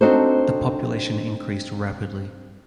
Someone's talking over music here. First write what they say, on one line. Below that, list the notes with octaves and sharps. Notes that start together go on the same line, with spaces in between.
The population increased rapidly.
C4 D4 D#4 F#4 A4 C5